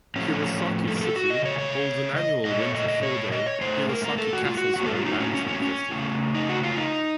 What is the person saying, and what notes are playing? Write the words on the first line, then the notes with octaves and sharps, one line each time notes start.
Hirosaki city holds an annual winter four-day "Hirosaki Castle Snow Lantern Festival".
A2 F3 A3 C#4
A4
A#4
A4
F#4
C#3 A3 D#5
C#5
C#5
D#5
A#2 A3 D#5
C#5
D#5
D#5
C#5
D#5
C#5
A2 A3 C5
A#4
A#4
A4
F#4
F4
F#4
A2 F#3 A#3 F#4
A4
F4
D#4
C#4
C#4
C#4
C#4
C#3 A3
D#4
F#4
F4
D#4